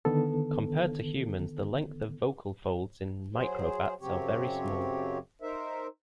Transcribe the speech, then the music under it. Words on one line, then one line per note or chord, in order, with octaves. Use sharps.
Compared to humans, the length of vocal folds in microbats are very small.
D3 D#3 B3 A4
F#3 G#4 C5
F#2 C#3 F#3 C4 G4 C#5
D#4 A#4 C5 E5